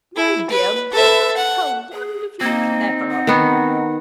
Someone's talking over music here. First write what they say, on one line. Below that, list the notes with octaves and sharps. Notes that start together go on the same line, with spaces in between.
"My dear boy, how wonderfully clever of you!"
E4
B4
A4 E5
F#5
G#4
A#3 C4 D#4
F#5
D#3 B3